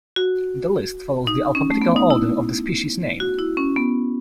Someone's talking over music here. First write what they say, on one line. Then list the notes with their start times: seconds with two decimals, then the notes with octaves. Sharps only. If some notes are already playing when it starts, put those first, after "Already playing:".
The list follows the alphabetical order of the species name.
0.16 F#4
1.27 D#4
1.55 C#4
1.71 A3
1.82 B3
1.96 D#4
2.10 E4
3.20 F#4
3.39 E4
3.57 C#4
3.76 B3